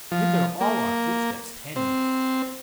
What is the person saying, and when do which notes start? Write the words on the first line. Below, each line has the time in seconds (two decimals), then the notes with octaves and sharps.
Hither all our footsteps tend.
0.12 F3
0.61 A#3
1.76 C4